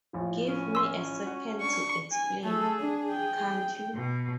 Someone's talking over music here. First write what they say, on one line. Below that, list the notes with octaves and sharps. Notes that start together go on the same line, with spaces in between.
Give me a second to explain, can't you?
A#1 A2 F3
C#4
C6 E6
F#4 F#5
D4 C#6
G#5
A3 G#4 A4
D4
G5
B2